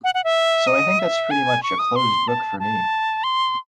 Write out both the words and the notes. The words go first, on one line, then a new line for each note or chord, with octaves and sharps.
So I think that's pretty much a closed book for me.
F#5
F#5
E5
D#5
E5
G#5
C#6
D#6
C6
A5
A5
C6